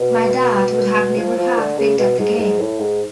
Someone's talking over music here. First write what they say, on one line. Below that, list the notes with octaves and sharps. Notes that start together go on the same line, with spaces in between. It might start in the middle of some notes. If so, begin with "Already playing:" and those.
My dad would have never have picked up the game.
Already playing: B2
F3
F3
D3
C#3
B2
G#2
G#2
A2
G#2